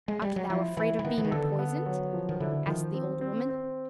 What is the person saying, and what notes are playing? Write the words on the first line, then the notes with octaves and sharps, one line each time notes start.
"Art thou afraid of being poisoned?" asked the old woman.
G#3
G3
F#3
F3 E4
E3 E4
E3
D#3 B3
E3
D#3
D3 A4
B3
F#3
F3
D#3
D3 E4
D#3 F3
C4
C4
C4